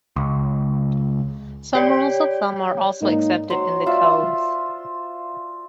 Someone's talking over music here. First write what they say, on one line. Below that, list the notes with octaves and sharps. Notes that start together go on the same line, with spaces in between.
Some rules of thumb are also accepted in the codes.
C#2
G4 C#5 D5
G#2 A#3 D#4
F#3 C5
F4 C5 D5 E5